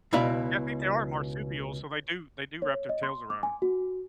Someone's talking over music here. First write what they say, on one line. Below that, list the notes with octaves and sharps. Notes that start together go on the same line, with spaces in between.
Yeah, I think they are marsupials, so they do they do wrap their tails around.
C#2 B2 E4 D5 F5 B5
C#5
D#5
C6
D6
G#5
F#4